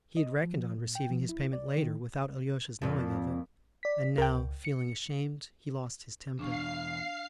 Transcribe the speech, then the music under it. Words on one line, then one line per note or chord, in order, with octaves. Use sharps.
He had reckoned on receiving his payment later, without Alyosha's knowing of it, and now, feeling ashamed, he lost his temper.
D#5
F3
A#2
G5
F3
E4
D5
D#3
F2 A#2
D5 B6
C#2 A#4 G5
C#7
E2 B2 D4 F5 C#6 C7